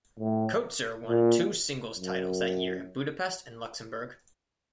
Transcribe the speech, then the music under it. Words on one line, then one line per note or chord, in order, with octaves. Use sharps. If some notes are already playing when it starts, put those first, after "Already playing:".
Coetzer won two singles titles that year in Budapest and Luxembourg.
A2
A#2
F#2